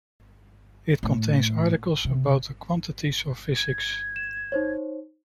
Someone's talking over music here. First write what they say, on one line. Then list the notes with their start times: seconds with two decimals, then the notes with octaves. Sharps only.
It contains articles about the quantities of physics.
1.03 A2
2.05 C3
3.56 G#6
4.16 E7
4.52 D#4 C5 C#5